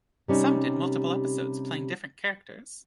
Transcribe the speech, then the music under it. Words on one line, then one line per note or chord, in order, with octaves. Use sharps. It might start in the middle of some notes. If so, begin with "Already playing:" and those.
Some did multiple episodes playing different characters.
C3 G3 C#4 D#4